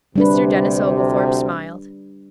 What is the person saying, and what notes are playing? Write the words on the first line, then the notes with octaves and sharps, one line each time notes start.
Mr. Denis Oglethorpe smiled.
D2 C3 G3 D4 B4